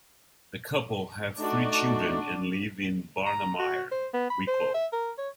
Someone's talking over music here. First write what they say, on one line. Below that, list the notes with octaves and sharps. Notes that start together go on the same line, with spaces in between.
The couple have three children and live in Barnamire, Wicklow.
A3 D4 D#4 F#4 D5
A#5
F#4
C5
B3
B5
C5
E5
A#4
C#5